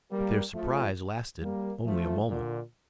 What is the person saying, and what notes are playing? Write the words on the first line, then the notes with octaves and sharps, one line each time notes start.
But their surprise lasted only a moment.
G3 A#3
F3 A3
G3 A#3
F3 A3
A#2 D3